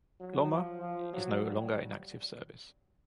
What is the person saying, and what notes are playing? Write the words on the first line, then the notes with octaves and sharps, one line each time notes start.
"Glomma" is no longer in active service.
F#3
F3
F3
F#3
G3